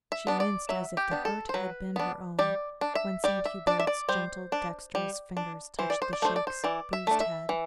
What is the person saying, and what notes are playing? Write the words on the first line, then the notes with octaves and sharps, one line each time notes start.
She winced as if the hurt had been her own when Saint Hubert's gentle, dexterous fingers touched the Sheik's bruised head.
E5
B3 D4
D5
F#3 E5
G4
B3 D4
A4
C5
F#3 B4
B3 D4
G3 D5
D4
E5
G3 D5
E5
D4 D5
E5
D5
G3 C5
D4
G3
D4
E3 C5
D5
C5
D5
A3 D4 C5
D5
C5
E3 D5
E5
A3 D4
E5
E3